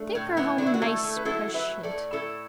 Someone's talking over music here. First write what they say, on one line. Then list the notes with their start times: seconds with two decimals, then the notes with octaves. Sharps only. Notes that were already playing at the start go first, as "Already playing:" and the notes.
Take her home nice preshent.
Already playing: A3 D4
0.15 A2
0.37 A2 B3 E4
0.58 A3 D4
0.66 E4
0.74 F#4
0.82 A3 E4 A4
1.03 A3
1.17 B4
1.25 F#3 E4 A4
1.48 A3
1.54 B4 E5
1.69 A2
1.83 A4 D5
1.91 A2
2.13 A2 E4 A4